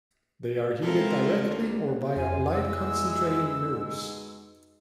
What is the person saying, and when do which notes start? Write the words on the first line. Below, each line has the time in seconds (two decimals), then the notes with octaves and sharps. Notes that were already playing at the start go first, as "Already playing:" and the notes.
They are heated directly or via light-concentrating mirrors.
0.81 G#3 C4 E4 F4 A4 A#4
1.46 D2
2.16 F1 B2 F4 G#5
2.52 G#3 B3 E4 E6
3.66 B2 G#3 D#4